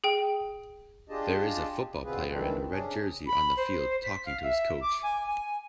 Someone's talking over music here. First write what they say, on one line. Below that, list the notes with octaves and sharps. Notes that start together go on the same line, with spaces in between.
There is a football player in a red jersey on the field talking to his coach.
G#4 G5
D4 F4 G4 G#4 D#5 A5
B2 D3 C4 F4 G#4 B4
G#2 D#3 E3 G3 C4 D4
C3 C#4 D4 G#4
B5
C5
B6
F5
E5
D6
G#5
G#5